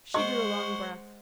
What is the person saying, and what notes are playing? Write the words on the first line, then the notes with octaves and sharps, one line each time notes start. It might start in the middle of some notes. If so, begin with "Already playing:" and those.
She drew a long breath.
G#3 C5 D#5 F#5 C#6